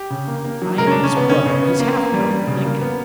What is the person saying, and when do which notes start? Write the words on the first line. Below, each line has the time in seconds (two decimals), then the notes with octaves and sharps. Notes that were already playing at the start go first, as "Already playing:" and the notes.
I am his brother--his half-brother, Lincoln.
Already playing: G4
0.10 C#3
0.27 A#3
0.44 A#3
0.62 F#3
0.78 C#3 A#4
0.87 C#4
0.91 C#3 D4
1.04 C#4
1.12 C#3 B3
1.29 C#3 C#4
1.46 C#3
1.63 B3
1.80 A#3
1.97 A#3
2.14 G3
2.31 G3
2.47 C#3
2.64 A#3
2.81 B3